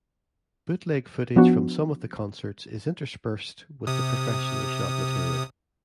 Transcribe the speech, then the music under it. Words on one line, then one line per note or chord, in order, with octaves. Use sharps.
Bootleg footage from some of the concerts is interspersed with the professionally shot material.
F3 B3 D4 F#4
C3 D#6